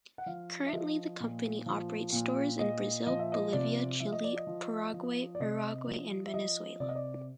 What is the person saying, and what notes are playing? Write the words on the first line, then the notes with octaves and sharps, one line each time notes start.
Currently the company operates stores in Brazil, Bolivia, Chile, Paraguay, Uruguay and Venezuela.
F#5
F3 F5
E5
F3 D#5
A#2
F3
A#2
A#2 D#5
F3 D#5
E5
D#5
C3 D5
F3 E5
D#5
D5
D#5
F3
F3
D5
C3 D#5
F3
E5
F3 D#5
C3 D5
D#5
D5